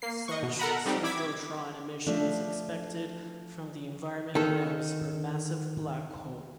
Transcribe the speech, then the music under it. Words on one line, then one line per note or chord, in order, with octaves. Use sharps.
Such synchrotron emission is expected from the environment around a supermassive black hole.
A#3 C7
D#5 C#6
B2
A4 A#4 F#5 A#5 B5
G3 C4 D#4 G4
E4 D6 G#6 B6
F3 A3 D4
D#3 A4